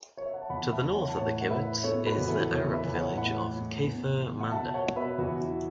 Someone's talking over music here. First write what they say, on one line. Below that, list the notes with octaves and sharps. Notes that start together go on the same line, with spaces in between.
To the north of the kibbutz is the Arab village of Kafr Manda.
C#5
E5
F#5
A5
E2 F#5 B5
E5 A5
E2
C#5 F#5
A5
A2 C#5 F#5
F#5
A2 B4 E5
B3 A4 C#5
F#4 B4
E2
E4 A4
E2 A4 C#5
B4 E5
E2
C#5 F#5
A2 F#5 B5
A2
B3
E2
F#5
B2 E5 A5
C#5 F#5
B2
B4 E5
E2 F#4
E4